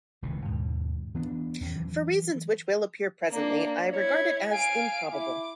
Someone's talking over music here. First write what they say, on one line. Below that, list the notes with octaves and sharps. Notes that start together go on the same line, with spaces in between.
For reasons which will appear presently I regard it as improbable.
D#1 C#2 C3 E3
D#2 G#2 B2
E3 B3 C4 D4
E2 C#4
E3 F#3
A#3 D4
E4 C#5 G#6
F5 G#5 D7
E4 D6